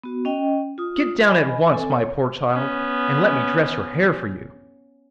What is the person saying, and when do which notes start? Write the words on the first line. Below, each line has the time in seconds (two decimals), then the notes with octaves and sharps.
Get down at once, my poor child, and let me dress your hair for you!'
0.03 B3 F#4
0.25 C#4 D#5 G5
0.78 F4 D#6
1.25 D#5 G#5 B5
1.73 C4 A4 G#5
1.92 C#5
2.49 B3 C#4